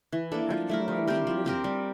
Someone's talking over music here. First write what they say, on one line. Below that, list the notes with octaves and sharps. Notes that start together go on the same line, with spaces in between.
"How did you know I was in prison?"
E3
A#3 D4 A4
F3
A3 E4 A#4
G3
C4 G4 A#4
F3
C4 G4 A#4
G3